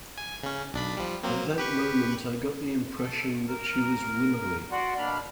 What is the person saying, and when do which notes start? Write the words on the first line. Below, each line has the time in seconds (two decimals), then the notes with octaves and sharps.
At that moment I got the impression that she was willowy.
0.18 G#5
0.43 C#3 C#4
0.73 B1 D4 B5
0.97 F3 G3
1.23 F#3 A#3 C4
1.58 G4 B4 C#6
2.96 A4
3.48 A#4
4.72 F#4 D5 F#5 C6
4.98 B2 A#3 D4 B5 F6